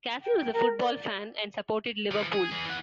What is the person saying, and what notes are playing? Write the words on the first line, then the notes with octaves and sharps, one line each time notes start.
Castle was a football fan and supported Liverpool.
G5
A#4
D5
E3 F3
G#4
E3 G#4
E3 F#5